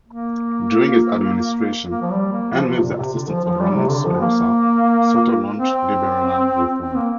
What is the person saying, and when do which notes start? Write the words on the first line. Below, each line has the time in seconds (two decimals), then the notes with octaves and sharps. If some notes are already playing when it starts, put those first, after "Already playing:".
During his administration and with the assistance of Ramon Rosa, Soto launched liberal reforms.
0.07 A#3
1.92 A#3
2.02 F3
2.11 G3
2.32 A#3
2.52 F3
2.68 C3
2.83 A#2
2.98 C3
3.13 D3
3.29 F3
3.44 F3
3.60 G3
3.75 C3
3.89 D3
4.05 F3
4.21 A#3
5.59 C4
6.80 C4
6.96 A#3